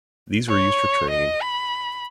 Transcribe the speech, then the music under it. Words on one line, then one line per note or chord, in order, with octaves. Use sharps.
These were used for training.
C#5
D#5
B5